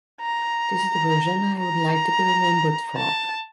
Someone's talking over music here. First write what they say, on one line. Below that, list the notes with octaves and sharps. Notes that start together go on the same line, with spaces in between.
This is the version I would like to be remembered for.
A#5
A#5
A5